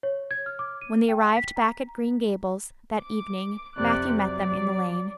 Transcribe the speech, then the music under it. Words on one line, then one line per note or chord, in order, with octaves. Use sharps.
When they arrived back at Green Gables that evening Matthew met them in the lane.
C#5
G#6
F6
D6
D#7
G5
B6
A#5
D6
F2 C3 D5 F#6
F#3 D5